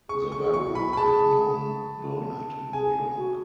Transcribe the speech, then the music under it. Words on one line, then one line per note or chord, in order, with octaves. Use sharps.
Zavala had known Burnet in New York.
G#4 C#6
C#6
G#4
F#4 C#6
E4
B5
B5
G#4 A5
G#4 G#5
F#4